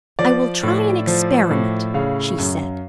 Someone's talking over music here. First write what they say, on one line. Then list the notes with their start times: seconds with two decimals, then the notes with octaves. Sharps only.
"I will try an experiment," she said.
0.19 F3 D5
0.63 A2
1.07 F3
1.50 A2
1.94 C#3 F5
2.38 F#2